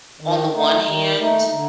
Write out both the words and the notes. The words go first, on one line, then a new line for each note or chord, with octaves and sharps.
on the one hand
D#3
A3 D#4
D#3
A3 D#4
D3